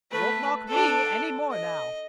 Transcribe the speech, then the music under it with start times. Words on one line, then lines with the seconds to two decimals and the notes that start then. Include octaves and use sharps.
You won't mock me any more now!'
0.11 A3 B4
0.67 D4 A4
1.50 D#5